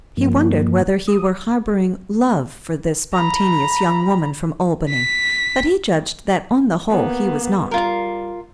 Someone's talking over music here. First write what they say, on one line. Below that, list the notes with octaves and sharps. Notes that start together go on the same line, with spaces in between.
He wondered whether he were harbouring "love" for this spontaneous young woman from Albany; but he judged that on the whole he was not.
G2 F3 A#3
D#6
A#5 B5
B6
A#3 B3
G3 F4 A#4